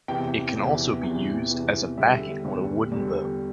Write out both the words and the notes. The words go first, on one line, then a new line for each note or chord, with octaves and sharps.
It can also be used as a backing on a wooden bow.
E2 C3 E3 G5
E2 C3 E3
E2 C3 E3
E2 C3 E3
E2 D3 G3 E5
E2 D3 G3
E2 D3 G3